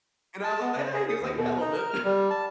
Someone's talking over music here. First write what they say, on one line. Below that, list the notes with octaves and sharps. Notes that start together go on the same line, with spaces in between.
And I was like, "Yeah." He was like, "Yeah, a little bit."
A5
B3
C#3
G#4
D#6
D#2
B2
D#4
A#4
F6
G3
A5